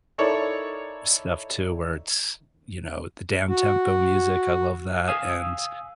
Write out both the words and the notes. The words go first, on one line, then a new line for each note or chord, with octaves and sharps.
stuff too, where it's, you know, the downtempo music, I love that, and
D#4 E4 A4 A#4 C#5 D5
F#4
F5 G#5 D#6 E6